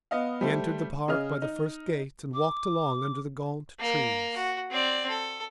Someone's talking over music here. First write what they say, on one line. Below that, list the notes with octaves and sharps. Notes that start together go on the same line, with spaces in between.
He entered the Park by the first gate and walked along under the gaunt trees.
B3 D#5 F5
G3 A3 C5
C#3 G#4 D#5 F6
D#4
D6
A#3 A#4
F#4
C4 D5
A4